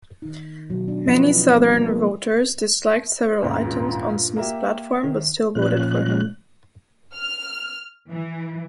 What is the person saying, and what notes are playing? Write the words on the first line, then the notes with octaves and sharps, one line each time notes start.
Many Southern voters disliked several items on Smith's platform but still voted for him.
D#3 D#4
B2 F#3
D4
E3 F3 C4 B4 D#5 F#5
G3 A#3 B3
A#3
D#2 G#2 C#3
A#1 G2
A#3 G4 E5 A#5
D#3
A#2 F3 C#4 F#6
F6
E3